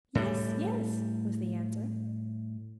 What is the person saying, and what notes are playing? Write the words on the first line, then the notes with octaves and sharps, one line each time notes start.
"Yes, yes," was the answer.
A2 G3